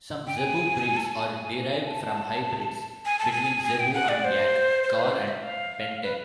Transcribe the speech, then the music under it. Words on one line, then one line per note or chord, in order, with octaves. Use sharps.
Some zebu breeds are derived from hybrids between zebu and yak, gaur and banteng.
G5
G#5
A5
G#5
A5
G#5
A5
G#5
A5
G#5
G#5
G5
F#5
D5
C5
C5
B4
C5
E5
F5
B4